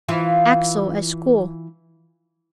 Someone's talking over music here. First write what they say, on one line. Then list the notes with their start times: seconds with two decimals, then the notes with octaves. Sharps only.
Axel at school.
0.08 E3 E4 F4